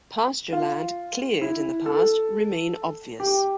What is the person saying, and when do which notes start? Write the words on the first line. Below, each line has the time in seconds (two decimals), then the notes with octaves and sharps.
Pasture land cleared in the past remain obvious.
0.53 F4
1.41 E4
1.86 A4
3.20 G4